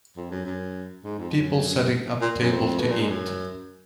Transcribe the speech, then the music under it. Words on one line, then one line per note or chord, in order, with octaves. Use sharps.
People setting up the table to eat.
F2
F#2
F#2
G#2
F2
F#2
A#2
F#2
F2
B2
A#2
G#2
F#2